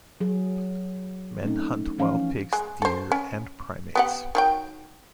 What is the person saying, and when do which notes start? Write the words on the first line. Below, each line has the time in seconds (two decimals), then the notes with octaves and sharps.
Men hunt wild pigs, deer and primates.
0.20 F#3 G#4
1.43 A3 C4 C#4 D#4
1.98 E3 F3 C#4 F5
2.53 G#3
2.82 A4 C5
3.12 C#4
3.95 B3 G4 F#5
4.35 D#3 F#3 G5